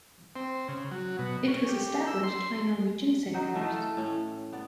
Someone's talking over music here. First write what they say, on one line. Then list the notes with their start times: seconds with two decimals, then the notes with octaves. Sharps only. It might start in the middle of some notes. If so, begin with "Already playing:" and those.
It was established by Norwegian settlers.
0.36 C4
0.68 C#3
0.92 F#3
1.19 B2
1.48 C#4
1.69 G4
2.07 E6
2.23 C6
3.34 F#3 D#4 F#4 G5
3.54 E3 A3 F4 D#5
3.74 A4
3.97 A2 C#4
4.52 B3 D5